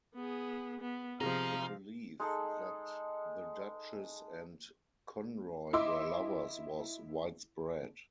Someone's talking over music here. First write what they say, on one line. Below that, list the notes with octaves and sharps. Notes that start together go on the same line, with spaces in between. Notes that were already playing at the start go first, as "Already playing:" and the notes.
The belief that the Duchess and Conroy were lovers was widespread.
B3 G#4
B3
C3 F3 D#4 G#4 F5 A#6
G#3 D#4 G#4 A4
E4 D#5 E5 C6 D6 E6